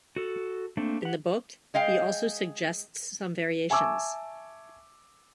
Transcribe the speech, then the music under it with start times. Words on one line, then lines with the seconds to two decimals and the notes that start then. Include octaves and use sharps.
In the book, he also suggests some variations.
0.16 F#4 A4
0.77 A3 A#3 C4 D4
1.02 G4 F#5
1.74 G#3 D#5 F5 G5
3.70 E5 G#5 A5 C#6 D6 E6